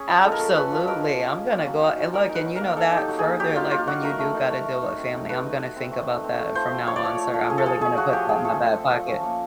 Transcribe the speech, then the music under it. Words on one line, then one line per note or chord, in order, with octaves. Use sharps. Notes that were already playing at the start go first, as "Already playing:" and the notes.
Absolutely, I'm gonna go and look and you know that further, like, when you do gotta deal with family I'm gonna think about that from now on sir, I'm really gonna put that in my back pocket.
Already playing: C#4 G#4
F3
G#3 A4
A#4
C#4 A4
C#4 B4
F3
G#3 A#4
F3
C#4
F3
A#3
F#3
D#4
F#3
F#3 A#4
D#4
B4
F#3
A#4
A#3
D#4 A4
D#4 G4
F#3
G#4
A#3
F#3 G4
D#4 F4
A#3 F4
F#3 F#4
A3 A#4
A3
D#4
A3
A3
D#4
C4
D#4
A3 B4
D#4
A3
C4
A3
D#4
C4
A3
F3 C5
C4
C4 C#5
D5
F3 C#5
A3
F3
F3 G#4
A4
F3 G#4
A3 G#4
F3 F#4
F3 G4
C4 G#4
A3 A4
A3
C4
F3
C#4
A#3